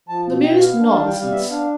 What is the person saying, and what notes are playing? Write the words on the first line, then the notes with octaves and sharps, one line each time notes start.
'The merest nonsense.'
F3 A5
B2
B2 G5
B3 F5
D4
G3 A5
G5
G3 F5
B3 E5
D4 F5